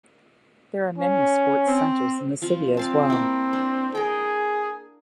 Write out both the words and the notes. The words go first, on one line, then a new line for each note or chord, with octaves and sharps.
There are many sports centres in the city as well.
C#4
C4
F3 C4 F4
C4 D5 F5 A5
A#3 E4
D4
G#4 A#4 G5